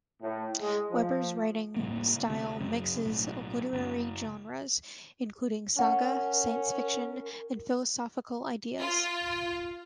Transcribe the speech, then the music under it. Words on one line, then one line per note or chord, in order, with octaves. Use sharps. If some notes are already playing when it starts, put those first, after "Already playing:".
Werber's writing style mixes literary genres, including saga, science fiction and philosophical ideas.
A2
G#3
F3
A2 C#3 G3 A#3
D2 C3
F#2 C#3
B1 A2
F#1
C#4 A#4 F#5
F4